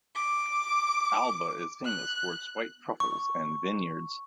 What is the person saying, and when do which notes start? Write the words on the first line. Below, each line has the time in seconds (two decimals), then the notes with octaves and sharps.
Alba is famous for its white truffles and vineyards.
0.15 D6
1.84 F#6
3.00 C#6